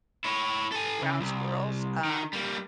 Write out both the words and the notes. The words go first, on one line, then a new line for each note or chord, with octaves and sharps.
Ground squirrels, um,
E4 C#5
A4 G#5
C#3
C2
D#3
G3 A#3